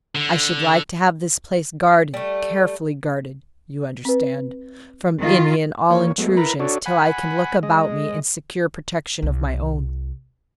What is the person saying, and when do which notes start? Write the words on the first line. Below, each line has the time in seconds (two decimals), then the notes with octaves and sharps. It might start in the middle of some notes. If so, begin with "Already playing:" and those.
I should like to have this place guarded--carefully guarded, you understand--from any and all intrusion till I can look about me and secure protection of my own.
0.15 D3
2.14 G3 A3
4.05 C4 B4
5.21 D#3 F4
5.90 E3 A#3 C#5
6.18 F#3 G#3 A3 B3
6.37 E4 A#4 B4 A#5 B5
6.60 D4 F#4 A4 C#5 D5
6.86 F#5 G#5 B5
7.63 G#3 D#5
9.22 C2